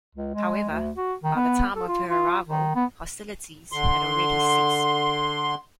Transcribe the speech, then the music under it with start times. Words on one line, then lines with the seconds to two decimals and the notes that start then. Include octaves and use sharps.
However, by the time of her arrival, hostilities had already ceased.
0.15 C#2
0.34 G#3
0.70 D2
0.97 F#4
1.24 D#3
1.36 B3
1.76 A4
1.88 F4
2.10 F4
2.47 D#3
2.75 B3
3.72 D3 C6